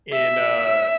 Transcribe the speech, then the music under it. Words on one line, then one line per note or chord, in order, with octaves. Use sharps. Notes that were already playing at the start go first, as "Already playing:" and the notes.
in, uh,
E5